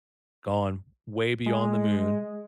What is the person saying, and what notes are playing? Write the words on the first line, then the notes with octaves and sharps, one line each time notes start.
gone way beyond the moon
G#3